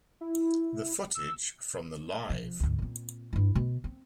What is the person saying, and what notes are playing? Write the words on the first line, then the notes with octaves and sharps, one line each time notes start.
The footage from the Live!
E4
E6
F3
D2 G#2
A#2 C4
G2 E4
B2
C4